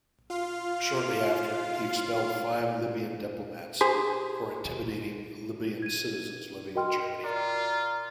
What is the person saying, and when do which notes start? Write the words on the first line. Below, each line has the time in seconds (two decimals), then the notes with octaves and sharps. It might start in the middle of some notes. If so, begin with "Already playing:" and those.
Shortly after, he expelled five Libyan diplomats for intimidating Libyan citizens living in Germany.
0.30 F4 F5
3.81 G4 G#4 C5
5.82 G#6 D#7
6.75 F#4 A#4 D#5 G5 C6 F6
7.24 F4 A#4 D5 A#5 D6